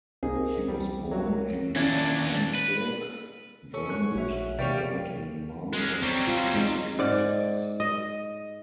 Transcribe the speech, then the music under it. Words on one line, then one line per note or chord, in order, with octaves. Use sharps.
He was born in Hinesburg, Vermont and died in Marblehead, Massachusetts.
C2 A#3 C4 D#4 G#4
G3
F#3 A#3 F#4
A#2 D#3 C#4 D4 E4 G#6
B4
C#4 A4
C#6 F#6
A#1 F#4 E5
C3 G3 C#4 D5 F5 G5
G#3 C#4
F#3 G3 C4
F4
G#3 D#4
G#2 D5
D#5